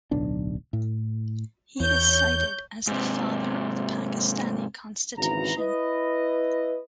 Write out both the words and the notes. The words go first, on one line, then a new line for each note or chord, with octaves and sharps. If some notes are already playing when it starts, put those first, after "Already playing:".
He is cited as the 'Father of the Pakistani Constitution'.
D1 B1 D4
A2
E2 C#5 G6
G#2 C3
G#1 C#3 E3 F#4 A#5
E4 B4 D#5